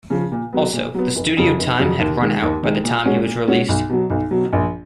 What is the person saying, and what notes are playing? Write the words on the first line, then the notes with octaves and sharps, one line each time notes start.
Also, the studio time had run out by the time he was released.
C#3 F3
A#2
F#3 B3
A#2
F#3 B3
F1
F2 C#3 F#3
F1
F2 C#3 F#3
D#2
D#3 G#3
D#2
D#3 G#3
A#2
G#3 C#4 F#4
A#2
G#3 C#4 F#4
B1
B2 F#3
B1
B2 F#3
A#1